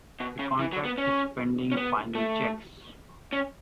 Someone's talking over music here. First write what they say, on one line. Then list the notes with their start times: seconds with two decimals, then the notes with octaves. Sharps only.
The contract is pending final checks.
0.20 B2
0.39 C#3
0.59 E3
0.72 F#3
0.85 B3
0.98 C#4
1.72 C#4
1.77 B3
2.15 A3
3.33 C#4